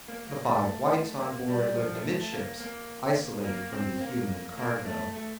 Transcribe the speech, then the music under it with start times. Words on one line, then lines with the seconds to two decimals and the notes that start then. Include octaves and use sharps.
The five whites on board lived amidships, isolated from the human cargo.
0.08 A#3
0.27 A#3
0.45 A3
1.21 A#3
1.48 G3
1.76 F3
1.89 G3
1.95 A3
2.13 A3
2.33 A#3
2.60 A#3
3.44 A#3
3.73 C4
4.01 A#3
4.58 A#3
4.85 A3
5.12 A3